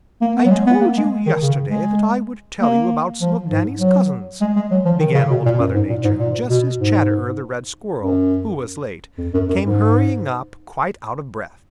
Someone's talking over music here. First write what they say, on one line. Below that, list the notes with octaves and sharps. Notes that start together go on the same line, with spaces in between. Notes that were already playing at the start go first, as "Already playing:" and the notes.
"I told you yesterday that I would tell you about some of Danny's cousins," began Old Mother Nature just as Chatterer the Red Squirrel, who was late, came hurrying up quite out of breath.
A#3
B3
F#3
G#3
B3
A#3
G#3
D#3
C#3
G#3
A#3
F3
G#2
F#3
G#3
G#3
F#3
F3
D#3
C#3
B2
A#2
F#2
G#2
A#2
G#2
A#2
B2
G#2
F#2
F2
F#2
F#2
G#2